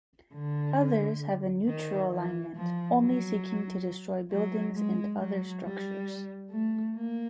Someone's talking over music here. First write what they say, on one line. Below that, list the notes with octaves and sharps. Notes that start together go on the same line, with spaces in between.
Others have a neutral alignment, only seeking to destroy buildings and other structures.
D3
D#3
E3
F3
F#3
F#3
G#3
F#3
G3
A3
A#3